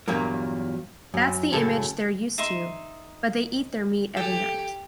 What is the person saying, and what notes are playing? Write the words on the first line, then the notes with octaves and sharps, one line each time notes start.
That's the image they're used to, but they eat their meat every night.
E2 G2 A#2 F#3 A#3
F#2
F#2 A2 C#3 A4
D#4 E5 C6
G4 A4 G5 G#5